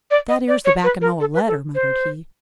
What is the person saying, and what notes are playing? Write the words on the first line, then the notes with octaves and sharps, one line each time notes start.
"That ere's the backin' o' a letter," muttered he.
D5
D#5
D5
C#5
B4
A#4
A4
B4
A4
C5